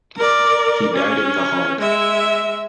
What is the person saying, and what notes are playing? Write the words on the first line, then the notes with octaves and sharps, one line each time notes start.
He died in The Hague.
A#4 D5
C#4
G#3 E5